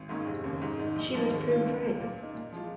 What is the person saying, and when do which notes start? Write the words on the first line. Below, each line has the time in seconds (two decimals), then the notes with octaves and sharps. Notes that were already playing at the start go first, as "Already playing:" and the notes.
She was proved right.
Already playing: G#1
0.09 G#2 D#3 A#3 C#4
0.26 F1
0.44 D#2 C#3 A#3
0.62 G#2
0.78 D#3 G#3 D#4
0.96 A#1
1.13 G#2 F3 A#3
1.30 D#2
1.48 D#3 A#3 F4
1.66 C#2
1.83 C#3 A#3
2.00 A#2
2.18 A#3
2.23 D#4
2.35 A#2
2.52 F3 G#3 F4